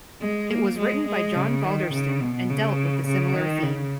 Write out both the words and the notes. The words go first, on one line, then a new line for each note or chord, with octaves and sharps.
It was written by John Balderston and dealt with a similar theme.
G#3
A#3
G#3
G#3
C#3
D#3
C#3
B2
C#3
C#3
D#3
C#3